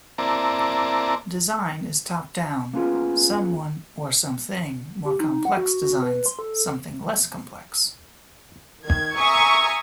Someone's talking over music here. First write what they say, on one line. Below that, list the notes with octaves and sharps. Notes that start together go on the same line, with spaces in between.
Design is top-down, someone or something more complex designs something less complex.
A#3 C4 E4 D5 A5 A#5
A#3 B3 C#4 F4 G#4
G4
D#4
F#5
F#4
F#4
B4
C6
A4
D#3 G#6
E5 G#5 A#5 C#6 D#6